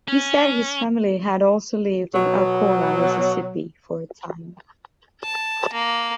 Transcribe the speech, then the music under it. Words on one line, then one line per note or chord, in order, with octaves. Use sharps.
He said his family had also lived in Arcola, Mississippi, for a time.
C#4
B2 F#3
A5
A#3